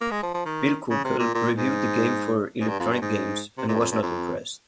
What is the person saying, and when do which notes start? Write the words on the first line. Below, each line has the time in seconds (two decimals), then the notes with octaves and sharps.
Bill Kunkel reviewed the game for "Electronic Games" and was not impressed.
0.01 A#3
0.12 G#3
0.23 F3
0.35 F3
0.46 D#3
0.91 C#3
1.05 C3
1.19 A#2
1.35 A#2
1.58 G#2
2.61 G#2
2.69 G2
2.80 F2
2.91 G2
3.02 G#2
3.58 C3
3.69 A#2
3.75 G2
3.80 F2
3.92 G2
4.03 F2